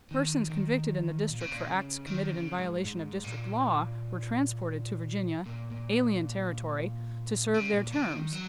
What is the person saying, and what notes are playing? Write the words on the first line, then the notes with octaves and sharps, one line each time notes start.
Persons convicted in the District for acts committed in violation of District law were transported to Virginia-alien territory-to serve their terms.
D#3
D#3
A#2
C#3
A#2
C#3
D#3
C#3
G#2
G#2
A#2
A#2
A#2
C#3
A#2
C#3
D#3
F#3